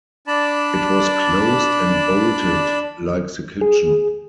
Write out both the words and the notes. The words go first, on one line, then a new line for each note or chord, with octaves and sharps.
It was closed and bolted like the kitchen.
D4 D5 A5 B5
G#4